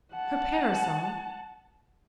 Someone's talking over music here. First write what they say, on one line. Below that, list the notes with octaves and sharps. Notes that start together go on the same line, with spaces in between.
Her parasol?
F#5 A5